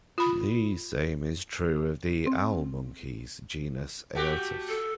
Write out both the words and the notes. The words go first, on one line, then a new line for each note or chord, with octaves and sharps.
The same is true of the owl monkeys, genus "Aotus".
F4 B5
C4
A3 F#4 G4
A4